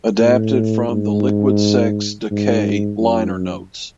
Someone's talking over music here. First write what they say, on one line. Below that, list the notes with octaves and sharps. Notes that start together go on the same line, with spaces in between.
Adapted from the "Liquid Sex Decay" liner notes.
A2
G#2
G#2
F#2